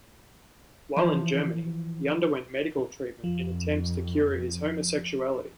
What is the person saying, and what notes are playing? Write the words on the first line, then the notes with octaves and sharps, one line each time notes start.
While in Germany, he underwent medical treatment in attempts to cure his homosexuality.
E3 F3 A5
F2 F3